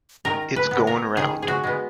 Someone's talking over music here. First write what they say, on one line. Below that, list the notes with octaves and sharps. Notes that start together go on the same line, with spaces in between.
It's goin' round.
D#3 A#4
B4
G#3 B3
A#4
D#3 G#4
G#4
F#4
G#3 B3